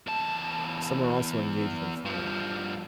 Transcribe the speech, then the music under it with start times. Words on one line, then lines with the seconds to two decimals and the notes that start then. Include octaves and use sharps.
Some are also engaged in farming.
0.07 E2 A5
2.06 G2 F3